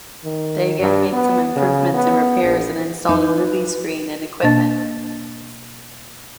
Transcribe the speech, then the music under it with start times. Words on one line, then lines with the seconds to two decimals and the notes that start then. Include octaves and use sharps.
They again made some improvements and repairs and installed a movie screen and equipment.
0.24 D#3
0.80 G2
1.13 B3
1.56 C#3
1.94 B3
2.43 A#1
3.09 D#4 B4
4.43 B2 A#3 D4 D#5 A5 A6